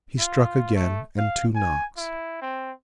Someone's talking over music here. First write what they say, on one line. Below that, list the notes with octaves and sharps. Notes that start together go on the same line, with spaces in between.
He struck again, and two knocks.
F4
A3
F5
G#5
E4
C4